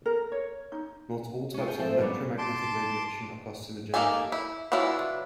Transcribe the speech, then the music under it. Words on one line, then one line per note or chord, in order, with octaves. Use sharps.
Not all types of electromagnetic radiation are carcinogenic.
A#4
C#5
D#4
C#4 F4
G#4 G5 G#5
F3 C4 A4 C5 E5
A#2 D3 G3 B3 C#4
A5 C6 D6
A#3 D#4 G4 A4 G#5
E4
E3 F#3 D4 E4 F4